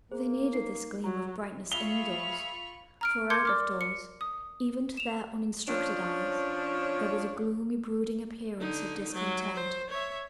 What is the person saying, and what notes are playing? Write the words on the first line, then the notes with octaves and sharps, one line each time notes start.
They needed this gleam of brightness in-doors, for out-of-doors, even to their uninstructed eyes, there was a gloomy brooding appearance of discontent.
A#3 G#4 C5
D#4 C7
F#3 A#5
F4 G#4 E5 F5 B5 C#6 F7 G7
A#5 F6 D7
A#4 C6 D6 G6 G#6 C#7
D5 D6 F6
C#7
D#6
E7 F7
F3 C#4 D4 C#5
D3 D#4
F#3
C5
C#5 E5